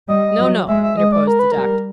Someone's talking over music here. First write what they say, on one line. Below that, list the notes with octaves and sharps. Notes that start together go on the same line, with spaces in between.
'No, no,' interposed the Doctor.
G3 D#5
F#3
G#3 E5
E5
G#3 D#5
D5
A#4
B4
G3 A#4